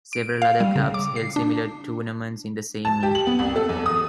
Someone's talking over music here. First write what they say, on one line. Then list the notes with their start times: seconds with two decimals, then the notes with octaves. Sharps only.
Several other clubs held similar tournaments in the same year.
0.13 D7
0.42 F5
0.60 G3
0.76 C#3
0.94 D6
1.16 C7
1.36 D4
2.85 A5
3.03 G4
3.15 F#7
3.27 B3
3.39 C2
3.56 A4
3.69 E2
3.86 D#6